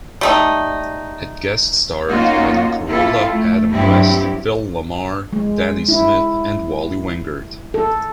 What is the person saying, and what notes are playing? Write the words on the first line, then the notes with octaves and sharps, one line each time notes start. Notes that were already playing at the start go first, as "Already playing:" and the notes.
It guest starred Adam Carolla, Adam West, Phil LaMarr, Danny Smith, and Wally Wingert.
G3 A3 D#4
A#3 C#4 D#4 F4 F#4
A#3 C4 E4 F4 A4
A3
G2 F#3 G3 C4 E4 G4
G#3
E4
A4